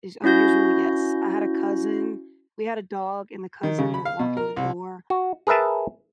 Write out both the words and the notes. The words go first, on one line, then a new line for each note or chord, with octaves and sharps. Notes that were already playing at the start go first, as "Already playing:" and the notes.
is unusual? Yes, I had a cousin we had a dog, and the cousin would walk in the door,
C#4 E4 F#4 G6 A#6
D#3
C#3
B5
F5
B2
A#4
C2
F#4
G#4 A#4 B4 E5 A5